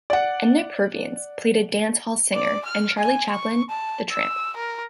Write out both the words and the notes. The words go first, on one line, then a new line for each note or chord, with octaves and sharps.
Edna Purviance plays a dance hall singer and Charlie Chaplin, The Tramp.
D5 F#5
D5
F6
G#5
C#6
A5
E6
A#4